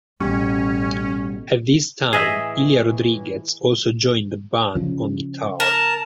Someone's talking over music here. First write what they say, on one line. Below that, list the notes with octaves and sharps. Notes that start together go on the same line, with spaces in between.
At this time Ilia Rodriguez also joined the band on guitar.
A1 B2 G3 C#4
A2 E3 G#4 D#5 E5
C#3 F3
A#4 A5